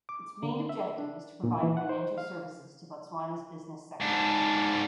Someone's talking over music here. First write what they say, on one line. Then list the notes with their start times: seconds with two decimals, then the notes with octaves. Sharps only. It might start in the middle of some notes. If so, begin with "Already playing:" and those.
Its main objective is to provide financial services to Botswana’s business sector.
0.09 D6
0.43 D3
0.69 E5
0.98 D4
1.44 A#2
1.63 E3
1.77 F#5
1.89 C5
2.18 F5
4.02 G#2 D4